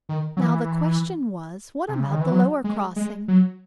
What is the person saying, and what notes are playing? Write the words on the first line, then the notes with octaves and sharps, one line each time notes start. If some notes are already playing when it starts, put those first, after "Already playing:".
Now the question was, what about the lower crossing?
D#3
F#3
E3
C3
C#3
D#3
E3
F#3
G#3
G#3
F#3